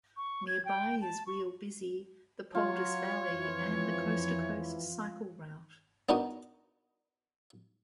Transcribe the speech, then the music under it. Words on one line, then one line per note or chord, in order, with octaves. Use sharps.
Nearby is Wheal Busy, the Poldice Valley and the Coast to Coast cycle route.
C#6
G#6
G5
A5
C#6
F#3 F4 C#5
F2 E3 F3
B3 D4 D#4 F#4 A#4 D#5